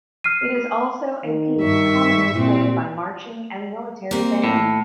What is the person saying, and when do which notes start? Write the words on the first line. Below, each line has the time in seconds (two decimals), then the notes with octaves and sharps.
It is also a piece commonly played by marching and military bands.
0.24 F6 C7 D#7
1.25 D#3
1.59 G2 E5 C#6
2.35 A#2 C4 E4
4.11 A#3 C4
4.44 A2